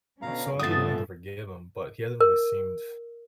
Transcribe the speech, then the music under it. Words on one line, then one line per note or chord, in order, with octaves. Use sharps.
So I'll be willing to forgive him, but he hasn't really seemed,
B2 D3 C#4 F5 A#5
G2 A#2 C#3 F3 A3 B3 D#6 A6
A#4